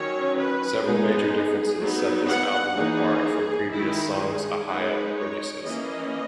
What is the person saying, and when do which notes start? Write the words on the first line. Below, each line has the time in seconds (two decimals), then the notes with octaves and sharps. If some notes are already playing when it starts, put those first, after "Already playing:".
Several major differences set this album apart from previous Songs: Ohia releases.
Already playing: D#3 F#3 C#4 C#5
0.36 B4
0.84 G#3 B3 D#4 G#4
1.80 F#3 B3 D#4
2.28 F#5
2.76 E3 A#3 D#4 G#4
3.72 D#3 G#3 D#4 E4
4.20 G#4
4.68 G#3 D#4 B4
5.16 C#5
5.64 E3 A#3 C#4 D#5